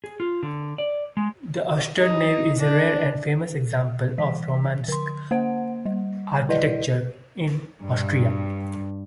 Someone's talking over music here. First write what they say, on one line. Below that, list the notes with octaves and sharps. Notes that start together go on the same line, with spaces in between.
The austere nave is a rare, and famous, example of Romanesque architecture in Austria.
G#4
F4
D3
D5
G#3
D#4
D4
E3 B6
D3 C6
A#3 C5 F#5
G3
E4 B4 D5 D#5
G2